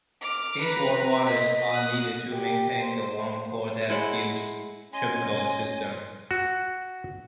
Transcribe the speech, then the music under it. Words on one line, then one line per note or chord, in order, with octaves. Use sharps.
These warm waters are needed to maintain the warm core that fuels tropical systems.
D6 F6
B4 A#5
D#5 B6
D#6 F#6
G4 G5
C5
G#3 E4 E5 F#5
C#4 D#5 G#5 C6
F#4